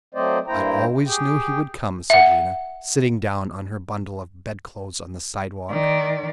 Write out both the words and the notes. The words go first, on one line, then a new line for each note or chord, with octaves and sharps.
"I always knew he would come," said Lena, sitting down on her bundle of bedclothes on the sidewalk.
F#3 A3 C4 C5 D5 D#5
G2 A#3 E4 C5 G5 A#5
G4 G#4 G5
E5 F#5
D#3 D5